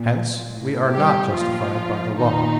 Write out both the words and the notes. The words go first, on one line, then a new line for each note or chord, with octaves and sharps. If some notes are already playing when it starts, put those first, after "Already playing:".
Hence, we are not justified by the Law.
Already playing: A#2
A2
G3 G4
A#2 F3 F4
A#2 D#3 D#4